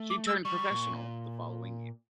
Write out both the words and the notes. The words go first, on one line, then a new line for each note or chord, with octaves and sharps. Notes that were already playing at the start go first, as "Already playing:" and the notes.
She turned professional the following year.
Already playing: A3
D6
E6
G3 C#6
A#2